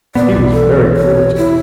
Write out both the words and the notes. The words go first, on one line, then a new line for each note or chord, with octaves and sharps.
He was very cruel to me.
A#2 B3 D5
B1 E2
A4
C#5
E4